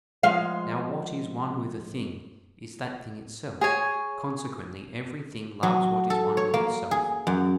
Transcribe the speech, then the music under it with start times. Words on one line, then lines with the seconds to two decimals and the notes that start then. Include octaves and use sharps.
Now what is one with a thing, is that thing itself: consequently every thing loves what is one with itself.
0.23 F3 G#3 F5
3.61 G#4 C#5 G#5
5.63 F#3
6.10 A4
6.37 C#5
6.54 A#3
6.91 G#4
7.27 F#2